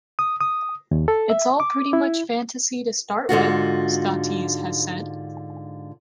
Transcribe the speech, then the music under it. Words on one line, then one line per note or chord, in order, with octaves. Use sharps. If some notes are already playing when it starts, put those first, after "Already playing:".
"It's all pretty much fantasy to start with", Scotese has said.
D#6
D#6
D#2
A4
E5
D6
E4
G#2 D3 F4 F#4